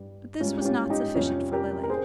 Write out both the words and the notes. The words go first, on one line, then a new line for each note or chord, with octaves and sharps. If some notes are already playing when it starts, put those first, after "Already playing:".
But this was not sufficient for Lily.
Already playing: G2 G3
G#2 G3 C#4 F4
G4
C#4 F4
D#4 G4
F2 C3 G3 C#4 F4
G4 A#4
A#4
G#4 C5